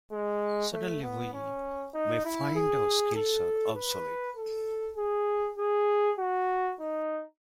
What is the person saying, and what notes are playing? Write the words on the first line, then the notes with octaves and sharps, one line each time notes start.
Suddenly we may find our skills are obsolete.
G#3
A3
B3
C#4
D#4
E4
G#4
A4
B4
A4
G#4
G#4
F#4
D#4